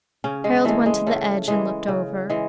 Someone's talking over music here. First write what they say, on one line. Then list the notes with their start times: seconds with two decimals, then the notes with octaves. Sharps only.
Harald went to the edge and looked over.
0.24 C#3 C#4
0.44 G#3
0.65 E3 G#3 A3
0.86 G#3
1.07 C#3 A3
1.48 E3 G#3
1.88 C#3
2.30 E3 G#3